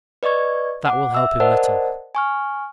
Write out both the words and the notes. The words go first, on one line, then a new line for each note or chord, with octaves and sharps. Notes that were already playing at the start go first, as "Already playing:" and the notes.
That will help him little.
B4 D5 D#5 C#6 G#6
F#5 D6
E5 E6
A#4 C5 D5 D#5 F#5 A5
G#5 C#6 F6